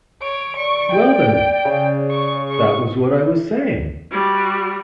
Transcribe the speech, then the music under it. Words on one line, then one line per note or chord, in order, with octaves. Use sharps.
Well, then, that was what I was saying.
C#5 D7
D5 C#6
G5
C#3
C#6
C#6
G3 F#4